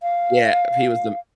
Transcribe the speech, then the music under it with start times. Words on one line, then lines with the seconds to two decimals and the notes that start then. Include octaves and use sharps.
Yeah, he was the m
0.02 F5